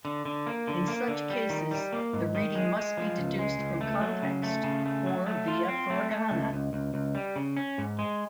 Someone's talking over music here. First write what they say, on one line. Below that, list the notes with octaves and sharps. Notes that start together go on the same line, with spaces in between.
In such cases the reading must be deduced from context or via furigana.
D3
D3
A#3
D3
A#3
D3
G3
D#3
G3
A#3
G#2
D#3
G#3
G#3
F3
C#2
G#3
C#2
A3
F#3
C#3
A3
C#3
A3
F#3
A3
F4
C4
A3
A3
C#2
C#2
C#2
C#2
G3
C#3
C#4
G#2
G#3